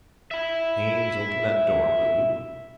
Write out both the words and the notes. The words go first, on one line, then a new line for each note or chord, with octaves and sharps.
Haines, open that door, will you?
E5 B5